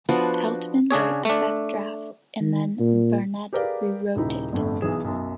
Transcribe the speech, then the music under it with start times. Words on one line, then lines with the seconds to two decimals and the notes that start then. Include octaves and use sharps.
Altman wrote the first draft and then Burnett rewrote it.
0.09 F3 B3 D4 F#4
0.91 C#3 D4 G#4 C#5
1.25 A3 D4
2.41 D#3
2.79 A#2
3.53 G4 G#4 A#4 B4 D5 F5
4.16 D#1 C#3 D#4 E4
4.53 G1 F2 A2 D3
4.81 B1 E3 G#4 E7
5.04 B1 F#2